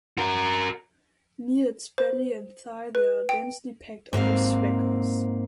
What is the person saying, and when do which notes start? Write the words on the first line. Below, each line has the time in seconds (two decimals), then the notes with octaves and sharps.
Near its belly and thigh there are densely packed olive speckles.
0.18 F#4 A#4
1.98 C5
2.95 B4
3.29 G5
4.13 G#2 A#3 C4 F5